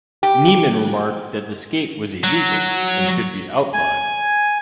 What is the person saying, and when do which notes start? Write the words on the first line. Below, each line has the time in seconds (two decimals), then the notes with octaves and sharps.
Niemann remarked that the skate was illegal, and should be outlawed.
0.23 G4
2.24 F#3
3.73 G#5